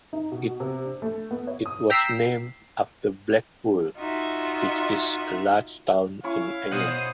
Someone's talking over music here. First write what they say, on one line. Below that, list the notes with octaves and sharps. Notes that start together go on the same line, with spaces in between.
It was named after Blackpool, which is a large town in England.
D#4
B2
C3
D4
A3
B3
C#5
D#6
G5 A#5 E6 B6 C7
D#4 F4 F#4 E5
C#4 E4 F5 C#6
B2 C5 D#5 F#5 D#6 C7